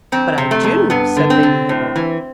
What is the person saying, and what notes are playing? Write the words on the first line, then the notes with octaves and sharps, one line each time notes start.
"But I do," said Lady Hibbert.
F2 C4
C3
A3
F2
G2 B3
D3
C4
D3
A2
E3